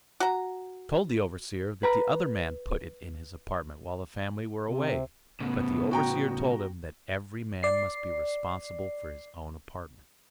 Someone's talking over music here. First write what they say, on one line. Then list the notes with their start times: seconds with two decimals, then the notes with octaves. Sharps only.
He told the overseer that the other man put it in his apartment while the family were away, but the overseer told him that every man must be responsible for his own apartment.
0.20 F#4 A#5
1.83 B4 A#5 B5
4.69 C3
5.40 A2 C#3 B3
5.91 F#4 G5 A#5
7.63 D5 C7